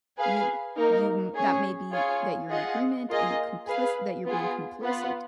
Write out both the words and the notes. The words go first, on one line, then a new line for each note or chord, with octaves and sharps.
you you m that may be that you're in agreement and complic that you're being complicit.
G#4 B4 F5 G#5
A#3 D#4 A#4
C#4 G#4 C#5
F4 G#4 C#5 G#5
F4 G#4 D#5 F#5
A#3 F4 G#4 D#5
G#4 B4 F5
B3 F4 G#4
B3 F4 B4 F#5